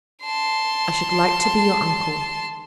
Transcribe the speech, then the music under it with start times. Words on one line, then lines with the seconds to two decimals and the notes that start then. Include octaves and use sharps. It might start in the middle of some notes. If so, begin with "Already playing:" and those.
I should like to be your uncle.'
0.24 A5 C6